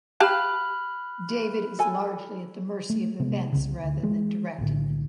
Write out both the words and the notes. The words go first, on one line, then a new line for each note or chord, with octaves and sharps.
David is largely at the mercy of events rather than directing them.
G4 F5 A5 B5 F6 F#6
A4 G#5
A3
C3 G#3 B3
C2 C#3
D2
E3 G#3
B1 A2 D3